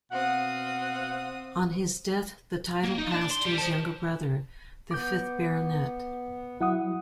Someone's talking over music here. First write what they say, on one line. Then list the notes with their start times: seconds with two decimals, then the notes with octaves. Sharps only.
On his death the title passed to his younger brother, the fifth Baronet.
0.12 B2 C4 F5 F#5 D#6
2.83 A#3
2.98 D#4
3.11 D5 A5
3.31 C6
3.46 G3
3.58 C5 A5
4.91 B3 D6 G6
6.61 F#3 E4 F#5 D#6